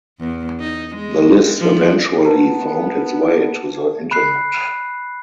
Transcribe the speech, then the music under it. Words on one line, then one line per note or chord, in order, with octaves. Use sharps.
The list eventually found its way to the Internet.
E2
D#4
G#3
F3
B3 B4 A5 A#5
B5 F#6 C7